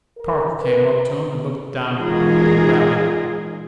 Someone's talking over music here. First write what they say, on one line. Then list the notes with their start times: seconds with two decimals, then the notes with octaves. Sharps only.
Park came up to him and looked down upon the little valley.
0.18 A#4
0.61 B4
1.95 E3 G#3 D#4 F4 G#4 A#4